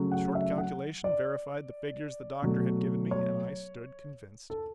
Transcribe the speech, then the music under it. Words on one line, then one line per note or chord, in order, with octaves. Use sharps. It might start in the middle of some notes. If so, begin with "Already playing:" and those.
A short calculation verified the figures the Doctor had given me, and I stood convinced.
Already playing: C#3 F#3 A3
F#5
E5
F#5
D5
B2 F#3 A3
C#5
A4